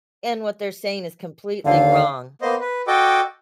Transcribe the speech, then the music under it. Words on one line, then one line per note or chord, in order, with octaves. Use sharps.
And what they're saying is completely wrong
D#2 D3 F5
A#3 B3 C5 D#5
B4
F#4 A4 D#5 G5 D6